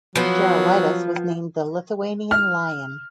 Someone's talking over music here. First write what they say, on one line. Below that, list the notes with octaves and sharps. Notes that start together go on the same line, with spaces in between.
Gerulaitis was nicknamed "The Lithuanian Lion".
F3 F#3 B3
F6